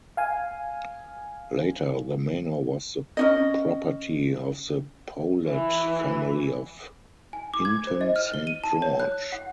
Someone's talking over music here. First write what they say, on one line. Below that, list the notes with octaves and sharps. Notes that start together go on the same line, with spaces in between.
Later the manor was the property of the Powlett family of Hinton Saint George.
F5 G#5
C#4 D#4 D#5
E3
G#5
D6
G#6
C5
D#5
F6
G7
D#7
A5
C#5
F#6
F#5